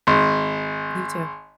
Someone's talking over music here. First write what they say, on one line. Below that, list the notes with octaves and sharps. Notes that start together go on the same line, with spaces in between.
You too.
G#1